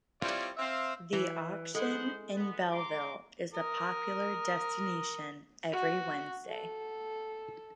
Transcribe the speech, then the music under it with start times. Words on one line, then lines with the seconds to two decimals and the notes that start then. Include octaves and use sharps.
The auction in Belleville is a popular destination every Wednesday.
0.22 G3 C4 E4 F4 C#5 D5
0.57 C4 E5 F5
1.13 E3
1.75 G#3 B3 A4 C5 F#5
2.34 B3
2.71 A#5 C6 D6
3.54 A#4 D#6
5.72 F#4
6.48 A4